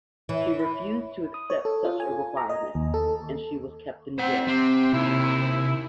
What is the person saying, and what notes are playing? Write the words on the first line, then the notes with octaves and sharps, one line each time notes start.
She refused to accept such a requirement, and she was kept in jail.
E3 C#5
B5
D#6
C#5
A4
F4
G#5
A#5
D#5
D#2
A4
C4 C5 F#5
C3 C4
D#2 C3 E4